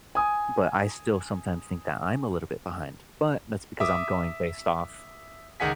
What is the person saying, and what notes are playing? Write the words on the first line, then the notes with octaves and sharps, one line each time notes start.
But I still sometimes think that I'm a little bit behind, but that's because I'm going based off
G#5 D#6
E5 D6 D#6
C#2 D#3 G#4 F#5 G#5 B6